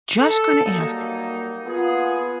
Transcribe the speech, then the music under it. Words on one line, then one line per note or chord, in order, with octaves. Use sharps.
Just gonna ask.
A4
F#3 G3 A#3 D#4
B3 F4 G#4